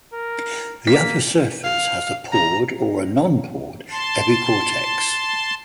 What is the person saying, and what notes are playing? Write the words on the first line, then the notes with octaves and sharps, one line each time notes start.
The upper surface has a pored or non-pored epicortex.
A#4
A#3 B6
F5
A#5
A5 C6